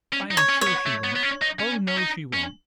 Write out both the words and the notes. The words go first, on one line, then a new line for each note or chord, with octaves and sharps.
I am sure she won't. Oh, no, she won't.
C#4
D#4
C#5
C#4
C#5
B3
A3
B3
B3
C#4
D#4
C#4
C#4
D#4
C#4